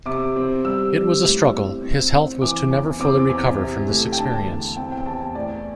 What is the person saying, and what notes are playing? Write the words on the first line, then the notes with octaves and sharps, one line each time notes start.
It was a struggle; his health was to never fully recover from this experience.
C3 D6
C4
G3 E6
G3
A2
C4
C4
C4
E3 D6
E2
C4 D6
E2
C3
A3
G5
D3 A5
E2
C4 G5
G5
E2 A5
G5
A2 D5